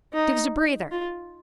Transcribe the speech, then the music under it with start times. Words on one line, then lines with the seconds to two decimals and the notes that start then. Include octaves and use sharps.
Give's a breather.
0.13 D#4
0.91 F4